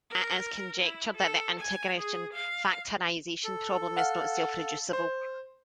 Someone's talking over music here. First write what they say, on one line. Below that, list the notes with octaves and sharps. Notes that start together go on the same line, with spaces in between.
It is conjectured that the integer factorization problem is not self-reducible.
A#4
E4
A4
G#5
G#4
F5
A4
F5 F#5
C5